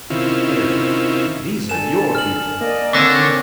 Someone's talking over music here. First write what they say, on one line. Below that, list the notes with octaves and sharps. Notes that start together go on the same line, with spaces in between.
"Harry, these are your people."
C3 D#3 C#4 E4 F4
D3 A4 G#5 E7
F6 F#7
A#3 D5 D#5
D3 D#3 C4 C#5 A#6